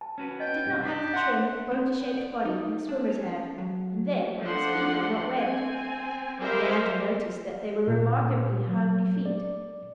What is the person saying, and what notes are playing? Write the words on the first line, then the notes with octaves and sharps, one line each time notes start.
He did not have the trim, boat-shaped body that swimmers have, and then, his feet were not webbed. The Gander noticed that they were remarkably homely feet.
A5
C#4 F#4 B4
D#5 G5
G2 C3
D4 G4
E5 F#5 C6
C4
C4
D5
D#4
D4
C#4
F#3
F3 D4 A4 F#5 C6
C4 G#5
G3 A#4 C5 E5 F5
A#2
F#3
D5